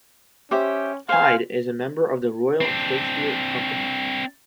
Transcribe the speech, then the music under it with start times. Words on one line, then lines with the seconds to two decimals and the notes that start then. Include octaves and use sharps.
Hyde is a member of the Royal Shakespeare Company.
0.51 C#4 G4 C5 E5
1.09 C5 F5 G#5
2.61 C4 D4